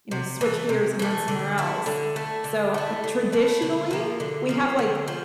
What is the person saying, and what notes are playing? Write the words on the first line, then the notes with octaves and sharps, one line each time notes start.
you know, switch gears and run somewhere else. So, uh, traditionally, we have, like,
C3
E3 A3
C3
E3 A3
D3
A3 E4
D3
A3 E4
D3
A3 E4
D3
A3 E4
D3
F3 A#3
D3
F3 A#3
D3
F3